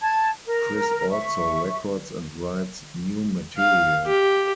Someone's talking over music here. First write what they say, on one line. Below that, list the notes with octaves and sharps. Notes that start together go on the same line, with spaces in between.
Chris also records and writes new material.
A5 G#6
A#4
E5 C#6
F5
G4